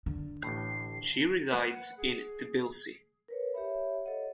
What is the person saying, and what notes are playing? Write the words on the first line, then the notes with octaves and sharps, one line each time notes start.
She resides in Tbilisi.
D3
A1 A2 C7
B4 F#5
G#4
A#4 B4 C#5
G4 C#5 E5 B5
A4 C#5 D#5 F#5